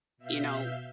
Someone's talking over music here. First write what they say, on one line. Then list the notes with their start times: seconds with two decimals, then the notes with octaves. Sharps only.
you know
0.18 B2 E5 F5 G6